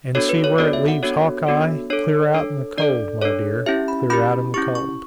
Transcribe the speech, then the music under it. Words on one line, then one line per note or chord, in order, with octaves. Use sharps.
And see where it leaves Hawkeye-clear out in the cold, my dear, clear out in the cold.
B3 D4 F#4 A4 C#5
B4
C#5
B3 D4 F#4 A4 D5
E5
F#5
B3 D4 F#4 A4 C#5
B3 D4 F#4 A4
D4 A4 C#5
D4 A4
D4 A4 D5
D4 A4 C#5
C#4 E4 G4 E5
B5
C#4 E4 G4 B5
C#4 E4 G4 C#6
C#6